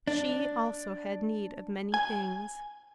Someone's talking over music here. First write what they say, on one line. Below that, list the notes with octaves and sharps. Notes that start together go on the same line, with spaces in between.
She, also, had need of many things.
D4
G#5